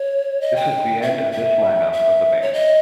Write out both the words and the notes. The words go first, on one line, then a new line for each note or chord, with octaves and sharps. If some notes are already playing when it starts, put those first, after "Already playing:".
This was the end of this line-up of the band.
Already playing: C#5
D#5
G5
E5
E5
E5
C#5
D#5